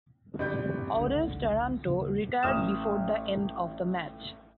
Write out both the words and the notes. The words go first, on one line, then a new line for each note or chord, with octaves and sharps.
Audace Taranto retired before the end of the match.
G1 C3 G3 G6
G#1 C#2 G#2 D3
D#1 C#3 A#3
A1 D#6 F6 E7